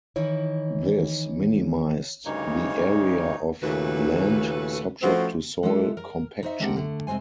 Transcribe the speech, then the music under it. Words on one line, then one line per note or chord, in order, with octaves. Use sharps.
This minimized the area of land subject to soil compaction.
D#3 E3 E4 C#5
D2 G2 C#3 A#3 D#4 C#5
D#2 A#2 C#3 A3 F#4 B4
A2 F3 A3 C4 C#4 F#4
G#3 B3 D4 E4 F4 A4
A#4
D#4 F#4 C5 D#5 E5
G#3 C4 D4 G4 A#4 F#5
D3 A3
C3 G#3 C4 C5 G#5